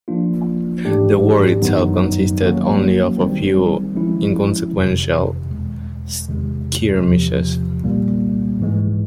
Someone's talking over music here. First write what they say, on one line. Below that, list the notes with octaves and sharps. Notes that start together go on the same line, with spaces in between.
The war itself consisted only of a few inconsequential skirmishes.
F3 A#3 D4 F4
G#2 E3 A3 D4 G4
F#2 D#3 F#3 B3 D#4
D#3 F#3 A#3 C#4 F#4
D#3 G3 C4
F3 G#3 C#4 E4
F2 C3 D#3
E2 B2 G#3
E2 C3 D#3 G#3
E2 C3 F3
C2 A#2 G3 A#3
G#2 E3 G#3